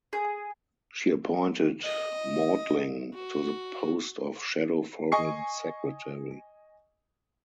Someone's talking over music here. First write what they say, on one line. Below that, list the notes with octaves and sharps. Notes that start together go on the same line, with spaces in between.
She appointed Maudling to the post of Shadow Foreign Secretary.
G#4
D#5
F#4
D#5 G#5 C#6 C7